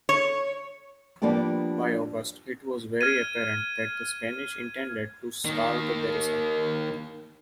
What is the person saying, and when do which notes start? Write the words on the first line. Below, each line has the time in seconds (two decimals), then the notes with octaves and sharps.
By August, it was very apparent that the Spanish intended to starve the garrison.
0.09 C#5
1.22 F3 G3 A#3 B3 D4 G4
3.01 F6 G#6 D#7
5.45 D#3 A#3